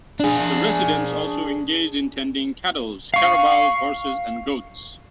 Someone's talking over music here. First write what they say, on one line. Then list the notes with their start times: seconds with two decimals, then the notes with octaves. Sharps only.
The residents also engaged in tending cattles, carabaos, horses and goats.
0.20 D4 G#4
3.14 F5 C#6